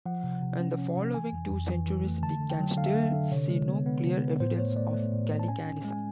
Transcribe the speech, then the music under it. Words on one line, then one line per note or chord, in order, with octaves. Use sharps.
In the following two centuries we can still see no clear evidence of Gallicanism.
F3 F#5
C3
C3
C#4
C#4
C3
E3 G#5
F2
F2
E3
E3
A3
D3 A5
D3
G5
F#3
D3 F5
E5
F5
D3
F5
D3
C3 C#5
G#3
B3
B3
C3
B3
A2 C5
A3 C#5
A3 D5
A3
A2
A2
A5
C#4 G#5
C#4
G#3
G#5